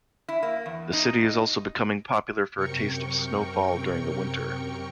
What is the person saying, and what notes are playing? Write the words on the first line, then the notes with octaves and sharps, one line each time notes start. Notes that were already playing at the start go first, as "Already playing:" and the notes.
The city is also becoming popular for a taste of snowfall during the winter.
E4
A#3
E2
D#4
F#2 C3 A#4 G5 C#6 C#7